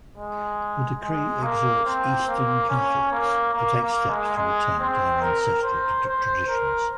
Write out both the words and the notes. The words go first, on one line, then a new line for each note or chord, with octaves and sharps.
The decree exhorts Eastern Catholics to take steps to return to their ancestral traditions.
G#3
G#3
A#3
C4
A#3
C#4
A#3
A#3
A#3
G#3
G#3
C4
A#4
C5
C5
A#4